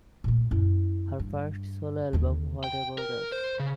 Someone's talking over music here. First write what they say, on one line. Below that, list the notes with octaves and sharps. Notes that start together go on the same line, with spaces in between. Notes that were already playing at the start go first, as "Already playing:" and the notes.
Her first solo album 'What about Us?
A#2 A3
F#2 E4
G2
D#2 D3
G5
A#4
C5
C#3